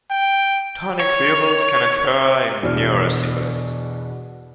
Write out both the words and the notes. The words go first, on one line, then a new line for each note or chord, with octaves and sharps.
Tonic pupils can occur in neurosyphilis.
G5
C#5
E2 B2 D4 D5 F6